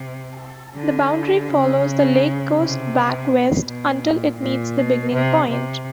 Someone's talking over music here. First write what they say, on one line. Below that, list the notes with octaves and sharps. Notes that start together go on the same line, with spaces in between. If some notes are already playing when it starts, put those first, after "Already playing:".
The boundary follows the lake coast back west until it meets the beginning point.
Already playing: C3
D3
C#3
C3
B2
B2
A#2
A#2
B2
C3
C3